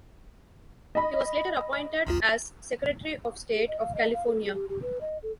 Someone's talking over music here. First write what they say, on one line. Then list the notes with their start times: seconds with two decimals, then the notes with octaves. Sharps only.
He was later appointed as Secretary of State of California.
0.95 D#5 B5
2.07 B1 E2 F4
3.53 G#4
3.68 D#5
3.80 F5
3.95 D#5
4.13 F5
4.26 A4
4.41 G#4
4.54 G4
4.69 G4
4.82 B4
5.01 D#5
5.23 A4